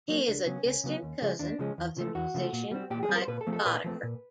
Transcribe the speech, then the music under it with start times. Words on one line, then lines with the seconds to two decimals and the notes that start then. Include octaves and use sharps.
He is a distant cousin of the musician Michael Boddicker.
0.09 F#3 A#3 C#4
0.28 C#2 D4
0.46 C#3 F#3 B3 C#4
0.65 C#2 C#4
0.84 C#3 F#3 B3
1.03 D#2
1.21 C#3 F3 G#3 C#4
1.39 D#2 D4
1.59 C#3 F3 G#3 C#4
1.78 E2
1.97 C#3 F3 A3
2.15 E2 F#4
2.34 C#3 F3 A3
2.53 A#2
2.71 G3 C4
2.90 A#2 G4
3.03 G#4
3.09 G3 C4
3.15 A#4
3.22 C5
3.28 A#2 B4
3.41 A4
3.47 F3 A3 C4
3.53 A4
3.66 A#2 B4
3.84 F3 A3 C4
4.03 A#2